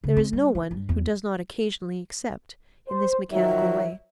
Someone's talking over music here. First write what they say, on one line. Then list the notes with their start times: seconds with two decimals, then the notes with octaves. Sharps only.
There is no one who does not occasionally accept in this mechanical way.
0.04 C#3
0.17 C4
0.33 G3
0.55 D#3
0.71 G2
0.89 E2
2.88 C5
3.31 D#3 F3 F#3 E5